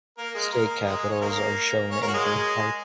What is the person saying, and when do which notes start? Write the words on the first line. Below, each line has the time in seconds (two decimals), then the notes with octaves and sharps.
State capitals are shown in bold type.
0.18 A#3 A#4
0.35 G#3 G#4
0.52 A#3 A#4
0.86 G#3 G#4
1.10 C#5
1.21 A#3 A#4
1.91 C#4 C#5
2.02 A#3 A#4
2.08 F#4
2.14 G#3 G#4